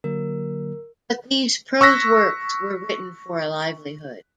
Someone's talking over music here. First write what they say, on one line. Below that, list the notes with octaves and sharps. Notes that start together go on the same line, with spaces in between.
But these prose works were written for a livelihood.
D3 F#3 A#3 A#4
C#6 E6 F#6 A#6 B6